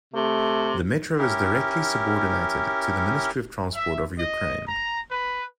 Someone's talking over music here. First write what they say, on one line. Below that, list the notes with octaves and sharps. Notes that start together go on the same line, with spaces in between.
The metro is directly subordinated to the Ministry of Transport of Ukraine.
C3 A3
C#4 E4 G4 A#4
E5
D#5
A#5
B4